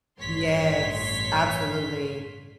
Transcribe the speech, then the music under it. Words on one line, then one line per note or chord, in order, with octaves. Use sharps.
Yes, absolutely.
A1 G2 C#5 C6 B6